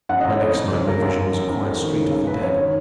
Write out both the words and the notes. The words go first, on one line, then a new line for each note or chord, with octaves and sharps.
My next nightmare vision was a quiet street of the dead.
F#2 F#5
D#5
F#2
C#5
F2 D#5
F2
C#3
C#2 A#4
F#2
F#2
F#2
F#2
F2 A#4
D#3
C#3
C#2
F#2 B4
F#2 C#5
D#3